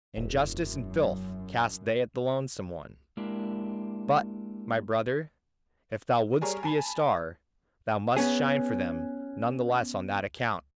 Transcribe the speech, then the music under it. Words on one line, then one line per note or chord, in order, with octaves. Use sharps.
Injustice and filth cast they at the lonesome one: but, my brother, if thou wouldst be a star, thou must shine for them none the less on that account!
E1 F#2
G#3 A#3 D4 E4 G4 A#4
G3 G#4 A#4 C#5
G#5 A5 B5
B3 C#4 G#4